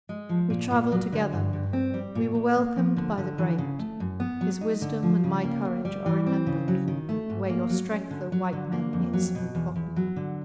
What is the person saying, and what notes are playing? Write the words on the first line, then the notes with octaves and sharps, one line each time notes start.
We travelled together. We were welcomed by the great; his wisdom and my courage are remembered where your strength, O white men, is forgotten!
G#3
F3
A#2
A#2
F#3
D3
G2
G2
C4
G3
A#2
A#2
A#3
F3
D3
D3
E3
C#3
A3
F#2
B3
F#3
D#4
D3
F3
C#3
A#3
D2
G3
E3
C4
C#3
F#3
D#3
A3
G#2
A#3
F#3
C#4
D3
F#3
D3
A#3
F2
F#3
B2
E2
E2
F#3
D3